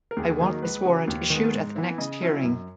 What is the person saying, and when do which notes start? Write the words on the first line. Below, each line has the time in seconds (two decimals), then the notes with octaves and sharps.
I want this warrant issued at the next hearing.
0.11 A#4
0.17 D#2 G#4
0.40 D#3 F#3 A#3 D#4
0.62 C#2 B4
0.85 C#3 F#3
1.08 D#2
1.30 D#3 G#3 B3
1.53 G#2
1.76 E3 B3 E4
1.98 C#3 D#5
2.21 F#3 C#4 E4
2.43 F#2